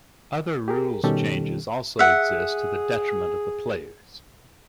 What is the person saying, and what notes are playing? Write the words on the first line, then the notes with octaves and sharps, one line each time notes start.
Other rules changes also exist to the detriment of players.
G4 G#4 A#4
B2 D#3 G3 C#4 G4 A4
G#4 E5 F#5